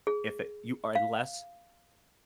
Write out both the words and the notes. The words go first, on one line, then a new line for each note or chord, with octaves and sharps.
if i you are less
G#4
F5